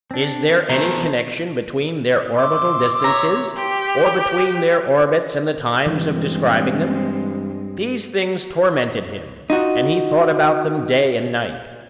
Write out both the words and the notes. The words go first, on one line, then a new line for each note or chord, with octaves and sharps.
Is there any connection between their orbital distances, or between their orbits and the times of describing them? These things tormented him, and he thought about them day and night.
C4 D4
B2 E3 A3 C5 A#5
C6 D6 E6
C#5 E5 A#5
G4 C6
F#6
G2 E3 G#3 C4
D#4 F4 F#4